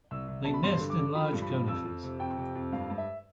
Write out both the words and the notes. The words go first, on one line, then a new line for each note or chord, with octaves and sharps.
They nest in large conifers.
C2 E6
C2
B2 A5
B5
G2 C6
D3
D6
D3
F3 B5
G2
B5
F3
F2 E6
F2
C3
F2 G5
C3
F2
G2 F5
G2
E5